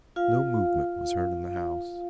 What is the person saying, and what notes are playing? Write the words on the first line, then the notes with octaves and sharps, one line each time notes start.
No movement was heard in the house.
F4 F5